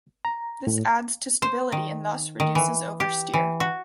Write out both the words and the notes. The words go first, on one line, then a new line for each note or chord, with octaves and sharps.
This adds to stability and thus, reduces oversteer.
A#5
A2
C5
D#3
D#3
E3
G4
E3
F#4